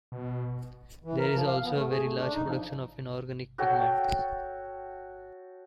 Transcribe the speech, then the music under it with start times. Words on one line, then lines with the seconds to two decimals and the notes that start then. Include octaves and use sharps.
There is also a very large production of inorganic pigments.
0.12 B2
1.04 E3
1.19 A#4
1.33 F3
1.46 F5
1.63 B3
1.75 A3
1.90 G#4
2.02 A3
2.16 D4
2.33 D#4
2.45 F3
3.58 F#4 A4 C#5 G5